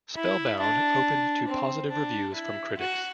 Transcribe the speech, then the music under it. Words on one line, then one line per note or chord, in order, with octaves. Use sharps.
"Spellbound" opened to positive reviews from critics.
E4
D4
C4
D4
E4
F#4